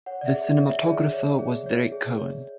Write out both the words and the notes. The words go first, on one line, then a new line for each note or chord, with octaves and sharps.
The cinematographer was Derrick Cohan.
C#5 F#5
D5
E5
G#4
D5
C#5
E5
G#4 D5
C#5
G#4
C#5
G#4
C#5